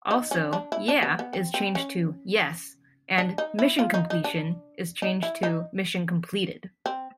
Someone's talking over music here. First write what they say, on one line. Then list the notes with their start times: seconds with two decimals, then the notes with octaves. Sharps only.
Also 'Yeah' is changed to 'Yes' and 'Mission Completion' is changed to 'Mission Completed'.
0.11 D#4
0.31 C#4
0.53 D4
0.72 E4
0.88 D4
1.03 B3
1.19 B3
1.33 C4
1.54 C4
1.75 C#4
3.18 D4
3.38 D#4
3.59 E4
3.79 F4
3.94 D#4
4.10 D#4
4.24 D4
5.02 D#4
5.23 E4
5.43 D#4
6.86 C4